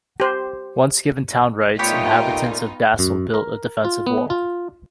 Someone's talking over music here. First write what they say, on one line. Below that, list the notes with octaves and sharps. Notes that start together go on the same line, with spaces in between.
Once given town rights, inhabitants of Dassel built a defensive wall.
G4 C5
A#2 A3 B3 D#4 F4 G4 C#5 G5
F#2
A#4
F4
B3
F4